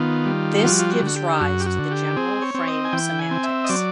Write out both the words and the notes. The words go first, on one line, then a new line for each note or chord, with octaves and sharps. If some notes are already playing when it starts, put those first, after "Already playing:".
This gives rise to the general frame semantics.
Already playing: D#3 B3 F4
G3
F3 F#4
F4
F#4
D3 F#4
G4
F#2 F#4
G4
F#4
D3
G4
C4 G#4
C#5
C4
D#5
G#5
E3 G5
G#5
C4
E5
D#5
F#3 D5